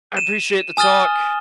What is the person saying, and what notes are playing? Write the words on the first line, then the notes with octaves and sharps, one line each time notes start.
I appreciate the talk.
D#7 E7
G#5 D#6 F6 A6 G7